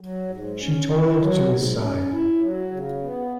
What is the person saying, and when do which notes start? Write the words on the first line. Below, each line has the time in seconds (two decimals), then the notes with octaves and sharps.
She toiled to his side.
0.01 F#3
0.30 G#2
0.61 C#4
0.91 E4
1.21 F#3
1.51 G#2
1.81 C#4
2.11 E4
2.42 F#3
2.71 C#3
3.02 B3